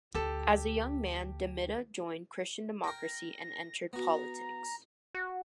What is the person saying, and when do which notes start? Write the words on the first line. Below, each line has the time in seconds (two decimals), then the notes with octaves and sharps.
As a young man De Mita joined Christian Democracy and entered politics.
0.14 D2 G4 A4
2.84 A#4 G5 A#6
3.93 B3 F#4 A#5
5.15 F#4